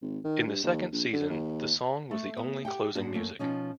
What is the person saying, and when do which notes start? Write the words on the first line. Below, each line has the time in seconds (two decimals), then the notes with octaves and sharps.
In the second season the song was the only closing music.
0.02 G#1
0.24 D#3
0.47 G2
0.64 D#2
0.92 A#1
1.13 D3
1.30 D#2
2.11 A3
2.37 B3
2.65 G4 F#5 G5
2.95 G#2 A#3 D4 F#4
3.14 F#2 A3 A#3
3.39 B2 F3 C#4 D#4